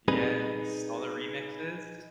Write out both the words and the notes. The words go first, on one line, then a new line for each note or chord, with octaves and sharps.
Yes, all the remixes.
A#2 G3 C4 D#4 G#4 B4